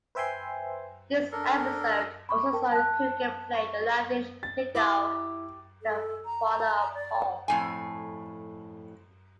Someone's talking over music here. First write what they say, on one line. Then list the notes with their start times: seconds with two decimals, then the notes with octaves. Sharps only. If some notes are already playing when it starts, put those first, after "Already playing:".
This episode also saw Coogan play the laddish Peter Calf, the father of Paul.
0.15 B4 C5 E5 G5 G#5 C6
1.32 D4 A4 A#4
2.29 B5 C#6 D6
2.53 A#4 G5 A5
2.72 A5 F#6
3.55 C#6
4.43 A6
4.75 E4 G4 F#5 D6
5.82 A4
6.24 A#5
6.94 D5
7.48 F2 A2 G#5